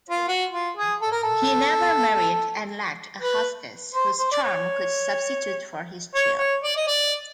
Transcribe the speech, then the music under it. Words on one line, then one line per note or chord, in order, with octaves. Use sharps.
He never married and lacked a hostess whose charm could substitute for his chill.
F4
F#4
F4
G#4
A4
A#4
A4
B4
C5
C5
D5
C#5
C#5
C#5
D5
D#5
D5